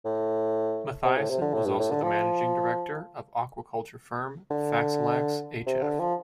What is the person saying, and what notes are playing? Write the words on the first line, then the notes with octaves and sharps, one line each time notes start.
Mathiesen was also the managing director of the aquaculture firm Faxalax hf.
A2
C3
A2
C3
D3
A2
G2
A2
D3
F3
D3
C3
D3
F3